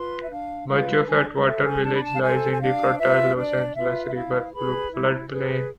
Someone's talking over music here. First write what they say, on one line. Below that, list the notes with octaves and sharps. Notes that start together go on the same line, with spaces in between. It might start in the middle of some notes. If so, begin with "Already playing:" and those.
Much of Atwater Village lies in the fertile Los Angeles River flood plain.
Already playing: F4 B4 C6
E5
D4 F5
F4 B4 F5
D4 G#5
A4 C5 E5
G#5
D4 A5
B5
A5
F5
A4 C5 G#5
G#5
D4 F5
F4 B4 E5
D4 D5
F4 B4 E5
E5
E4 F5
G#4 B4 B5
E4
G#4 B4